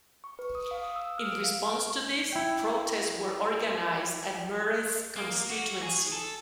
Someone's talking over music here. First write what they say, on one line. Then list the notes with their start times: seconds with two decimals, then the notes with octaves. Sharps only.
In response to this, protests were organised at Murray's constituency.
0.24 C#6
0.39 B4
0.55 D#6
0.71 F5
0.84 D#6
0.96 E6
1.18 F6
1.31 D7
1.44 F5
2.32 E4 G5
5.16 A#3
5.50 F#4
5.83 G#4
6.12 A4